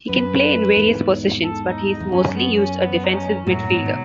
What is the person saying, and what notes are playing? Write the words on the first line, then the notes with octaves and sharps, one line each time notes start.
He can play in various positions but he is mostly used a defensive midfielder.
F#2 B4
E2 G#2
A4
D#4
D#4
E2
F#2 C#4
B3
C#4
B3
D#4
C#4
F#2 A2 F#3
G#2 B2
D#3